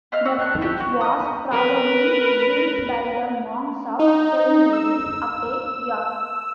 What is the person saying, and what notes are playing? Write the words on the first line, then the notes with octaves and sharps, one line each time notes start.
The bridge was probably built by the monks of Saint Mary's Abbey, York.
E4 D#5 F5 F6
F#4 F#5 E6
D4 F#6
F#4 G4
F#4
D#5 D#6
A#4 B4
D#4
E6